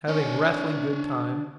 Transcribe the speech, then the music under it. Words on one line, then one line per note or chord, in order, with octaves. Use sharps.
Having rattling good time.
D4 C#5